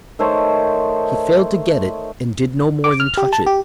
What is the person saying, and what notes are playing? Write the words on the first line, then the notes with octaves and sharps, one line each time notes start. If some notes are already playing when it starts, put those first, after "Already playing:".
He failed to get it, and did no more than touch it.
D#3 A3 C5 C#5
D6
F6
G4
A5
G4